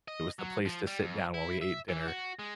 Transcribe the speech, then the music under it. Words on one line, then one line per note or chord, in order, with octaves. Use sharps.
It was the place to sit down while we ate dinner.
D#5
F#3
F3
G3
F2
E4
E5
E3
F#4
G#3